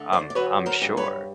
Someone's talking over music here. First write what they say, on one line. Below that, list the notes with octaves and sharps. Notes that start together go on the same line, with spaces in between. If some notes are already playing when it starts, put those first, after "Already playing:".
I'm I'm sure.
Already playing: D3 A3
C5 D5
D5
F#3 B4 C#5
A#4 C5
G2
B4 C#5